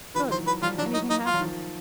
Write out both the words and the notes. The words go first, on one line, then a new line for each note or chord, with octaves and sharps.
Good. Anything happened?'
D#3 F3 B4
E3 F#3 C5
E3 F#3 B4
F3 G3 F4
E3 F#3 D4
D#4
D#4
F4
F#3
D#3 F3